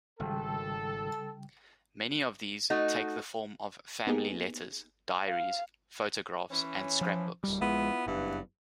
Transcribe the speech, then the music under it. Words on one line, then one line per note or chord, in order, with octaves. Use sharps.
Many of these take the form of family letters, diaries, photographs, and scrapbooks.
G#1 C#3 G3 A4 G5
A3 D#4 F#4
A#3 B3 D#4 G4 G#4
F5
E3 C#4
F3
D1 G3
A#1 G#3 B3 E4 F4
F#1 G2 E3 B3